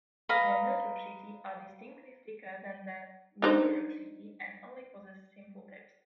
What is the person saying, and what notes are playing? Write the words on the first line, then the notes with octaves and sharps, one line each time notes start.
The notochaetae are distinctly thicker than the neurochaetae and only possess simple tips.
B4 D#5 F5 A#5
D4 D#4 C5